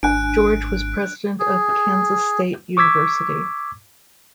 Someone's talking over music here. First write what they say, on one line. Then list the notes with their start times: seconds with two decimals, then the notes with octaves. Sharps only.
George was president of Kansas State University.
0.03 G#1 D4 G#5 F#6 D7
1.40 G#4
2.77 C#6 D6 E6 G#6 B6